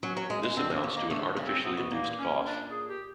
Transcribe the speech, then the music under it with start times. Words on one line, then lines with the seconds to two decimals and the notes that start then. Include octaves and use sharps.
This amounts to an artificially induced cough.
0.03 F#3 C#4
0.17 F#3
0.30 G#3
0.43 G#3
0.57 D3 C4
0.70 D3
0.74 A#3
0.84 C#3
0.93 D#3 A#3
1.10 D3 A3
1.37 C#3
1.46 C4
1.64 C3 B3
1.77 B2
1.91 A#2 A#3
2.04 A#2
2.17 C#4
2.44 D4
2.71 G#4
2.89 G4